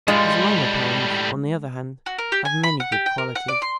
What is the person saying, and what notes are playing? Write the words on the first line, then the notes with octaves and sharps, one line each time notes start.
His longer poems, on the other hand, have many good qualities.
A2 G3 G#3 F4
F#4
A#4
G4
G#5
B5
F#5
G4
G5
A#4
F#5
D5
C6